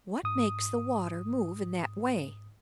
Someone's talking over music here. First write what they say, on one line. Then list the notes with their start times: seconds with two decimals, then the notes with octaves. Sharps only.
What makes the water move in that way?
0.23 G#2 D#6